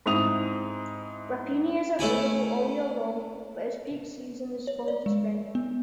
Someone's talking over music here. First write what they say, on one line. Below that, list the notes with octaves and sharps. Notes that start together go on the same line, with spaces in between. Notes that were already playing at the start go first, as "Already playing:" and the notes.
Rapini is available all year long, but its peak season is fall to spring.
G#2 C4 E4 D#6 F7
A3 C#4 E4 G#5
C#5
D5
G#3
B3